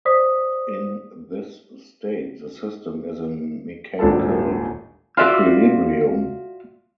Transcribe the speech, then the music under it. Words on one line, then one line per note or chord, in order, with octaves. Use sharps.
In this state the system is in mechanical equilibrium.
C5 D5 D#6 B6
D#1 G#1 D4 A4 A5
F4 F#4 D5 E5 F5